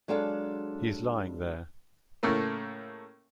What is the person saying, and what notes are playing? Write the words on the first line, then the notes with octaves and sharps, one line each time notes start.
He's lying there.
F#3 G#3 D4 A4 F5
A2 C#3 A3 A#3